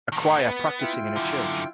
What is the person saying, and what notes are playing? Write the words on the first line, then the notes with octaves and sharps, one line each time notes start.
A choir practicing in a church.
A2 D#3
B3 B4
E4 F4 G5
F#2 D3